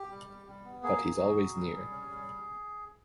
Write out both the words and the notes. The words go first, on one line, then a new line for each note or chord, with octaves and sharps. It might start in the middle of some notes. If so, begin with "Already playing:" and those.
But he's always near.
Already playing: G4
G3
G3
G3
B3
A#3 G#4
F#3
F#4
F#3
G3
G3
C#4
G3